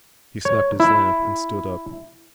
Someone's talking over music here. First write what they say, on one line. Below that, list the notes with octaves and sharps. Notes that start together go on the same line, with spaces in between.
He snapped his lamp and stood up.
C#5
E4